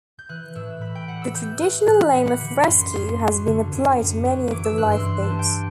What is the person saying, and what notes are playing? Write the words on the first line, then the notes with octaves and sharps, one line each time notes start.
The traditional name of "Rescue" has been applied to many of the life boats.
G6
E3 F#6
A2 E6
A2 B5
G5
G3 F#5
E6
E3 G6
A2 F#6
A2 F#6
B5
G3 F#5
F#5
D3 B5
F#2 C6
F#2 C6
F#3
D3
F#2
F#2
F#3
E3 D6
E6
G2 F#6
C6
G2 C6
A5
G3
G5